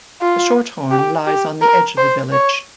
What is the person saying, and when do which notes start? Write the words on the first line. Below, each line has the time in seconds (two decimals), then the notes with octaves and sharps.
The Shorthorn lies on the edge of the village.
0.21 F4
0.91 G4
1.27 G4
1.61 A#4
1.97 C5
2.32 C#5